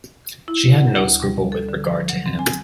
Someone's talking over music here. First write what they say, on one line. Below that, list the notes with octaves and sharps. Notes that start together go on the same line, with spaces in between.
She had no scruple with regard to him.
E4
F#5
D2
G3
A4
D3
F3
F#3
C4
G#5